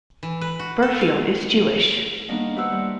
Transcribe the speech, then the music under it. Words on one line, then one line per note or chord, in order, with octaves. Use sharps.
Berfield is Jewish.
E3
B4
F#4
A4
F5
D#3 G3 A#3 B3 D4 D#4
E4 G4 B4 C5 F#5 E6
G3